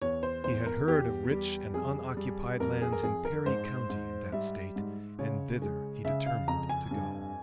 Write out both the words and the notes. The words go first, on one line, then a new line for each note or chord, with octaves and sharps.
He had heard of rich and unoccupied lands in Perry County in that State, and thither he determined to go.
E2 C#5
C5
E2 C5
A#4
E2 G4
G3
F2 G#4
G3
F2 A#4
G#4
A#4
F2 G#4
A#4
G#2 C5
G#2
G3 E5
G#2
C#3 C#5
G#3
C#3 E5
F5
F2 A#5
G#5
G2